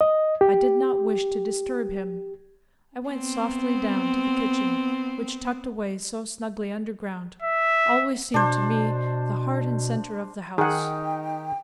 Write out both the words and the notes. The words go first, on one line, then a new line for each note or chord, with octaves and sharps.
I did not wish to disturb him. I went softly down to the kitchen which, tucked away so snugly underground, always seemed to me the heart and center of the house.
D#5
G4
B3 C4
E5
B2 D4 C5
D#3 D#4 G#4 F#5 G5